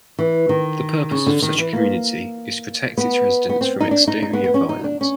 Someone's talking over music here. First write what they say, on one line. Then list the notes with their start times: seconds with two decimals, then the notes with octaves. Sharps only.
The purpose of such a community is to protect its residents from exterior violence.
0.19 E3
0.49 D#3
1.11 C#3
1.26 D3
1.42 D#3
1.58 E3
1.73 A#3
2.98 B3
3.49 B3
3.61 C4
3.80 D#4
3.91 D4
4.07 D#4
4.22 D#4
4.33 B3
4.44 B3
4.54 C#4
4.69 D#4
4.84 D4
5.01 C#4